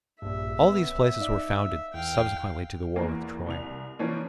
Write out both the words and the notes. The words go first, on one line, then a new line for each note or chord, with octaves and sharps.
All these places were founded subsequently to the war with Troy.
A#1 G2 E5
B3 C#4
D#4 D5 F5
E2 F5 G5
E2 E3 A#3
C2 F7
E3 F3 A#3 C#4 D5